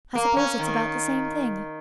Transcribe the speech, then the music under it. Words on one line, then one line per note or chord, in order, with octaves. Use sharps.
I suppose it's about the same thing.
A#3
C#4
D#3